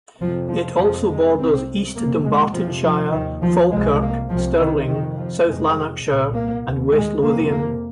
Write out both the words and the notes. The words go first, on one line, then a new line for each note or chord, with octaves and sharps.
It also borders East Dunbartonshire, Falkirk, Stirling, South Lanarkshire and West Lothian.
F2 C3 F3
F3
F2 C3 F3
G#3
C2 C3 C4
F2 C3 A#3
G#3
F2 C3 F3
F3
D#2 D#3
F3
C2 C3 G#3
A#3
C2 C3 F3
D#3
F2 C3 D#3
F3
F2 C3 G#3
C2 A#2
A#3
D#2
G#3
F2 C3 A#3
A#3